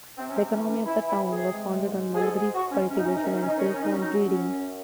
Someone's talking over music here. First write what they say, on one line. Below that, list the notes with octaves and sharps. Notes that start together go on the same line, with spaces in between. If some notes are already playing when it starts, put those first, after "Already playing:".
The economy of the town was founded on mulberry cultivation and silkworm breeding.
C3 C4
C#4
C4
E3 C#4
C#4
E3 E4
E4
C3
G#4
G#3
G#2
G#4
G#2 A4
G#4
G#2 F#4
C#4
C3 C#4
D#4
C#4
D#4
D#3 C#4
D#4
C#4
D#4
D#3 C#4
D#4
C#4
D#4
F#3 C#4
D#4
C#4
F#2 C#4
F#2